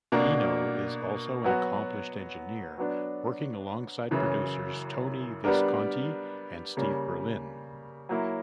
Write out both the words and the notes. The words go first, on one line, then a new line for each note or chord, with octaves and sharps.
Eno is also an accomplished engineer, working alongside producers Tony Visconti and Steve Berlin.
B2 A#3 D4 A#4
F#3 B3 F#4
F#3 B3 D4
F#2 C#3 E3
G3 B3 D4 A#4
C#3 G3 A#3
F#3 A#3 E4